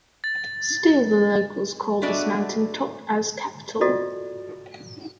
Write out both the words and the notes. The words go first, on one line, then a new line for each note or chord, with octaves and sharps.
Still the locals called this mountain top as kapital.
A6
A3 B3 D4 F#4 D5 D#5
F4 F#4 A4 D5 D#5